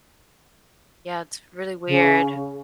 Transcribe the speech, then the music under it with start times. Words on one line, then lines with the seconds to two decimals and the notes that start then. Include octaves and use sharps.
Yeah, it's really weird.
1.88 C#3